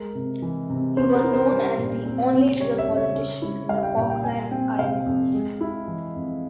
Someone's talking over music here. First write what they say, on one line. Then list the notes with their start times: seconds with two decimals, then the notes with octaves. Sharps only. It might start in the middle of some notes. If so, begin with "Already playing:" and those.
He was known as the "only real politician in the Falkland Islands".
Already playing: G#3 A#4
0.15 C3
0.42 E3
0.70 C3
0.97 C#4 C5
1.15 A#4
1.24 E4
1.33 C5
1.52 G3
1.78 A#2
2.06 C4
2.33 C#3
2.60 G3 C#5
2.78 E5
2.88 C#3
2.97 C#5
3.15 C#4
3.42 E4
3.69 G3 F5
3.83 G5
3.97 A#2 G5
4.10 G5
4.24 G3 G#5
4.51 C4 G5
4.79 C3 F5
5.06 F2
5.33 G#3
5.61 E4
5.88 E3
6.15 F2